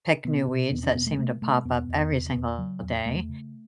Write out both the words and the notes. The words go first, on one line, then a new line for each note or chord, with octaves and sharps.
pick new weeds that seem to pop up every single day,
B2 B3
B2
E2 B3
C#4
B2 B3
A3
B2 A3
B2 A3
E2 B3
E2
C#3
E2
C#3 F#3
E2
E2 A3
C#3